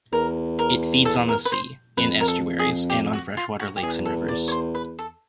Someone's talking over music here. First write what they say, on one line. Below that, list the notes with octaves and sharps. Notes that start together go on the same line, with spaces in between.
It feeds on the sea, in estuaries, and on freshwater lakes and rivers.
E2 A#4
A#4
A4
A#4
B4
C5
F2 B4
A#4
A4
G#4
G4
F#4
F4
F#4
G4
E2 G#4
A4
D5
C#5
C5
B4
A4